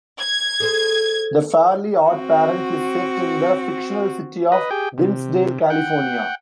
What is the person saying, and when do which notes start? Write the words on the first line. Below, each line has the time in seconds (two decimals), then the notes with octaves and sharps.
"The Fairly OddParents" is set in the fictional city of Dimmsdale, California.
0.20 G#6
0.60 G#4 A4 C5
2.08 C4 F#4
4.52 B4 D#5
4.71 G4 G#4 G5
4.98 C3
5.70 F#5 G5